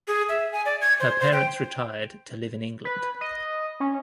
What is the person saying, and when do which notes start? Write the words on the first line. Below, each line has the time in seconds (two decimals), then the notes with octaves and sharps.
Her parents retired to live in England.
0.08 G#4
0.29 E5
0.53 G#5
0.66 D5
0.81 G#6
1.00 C5
1.20 C5
1.33 G5
2.85 B4
3.21 D#5
3.80 C#4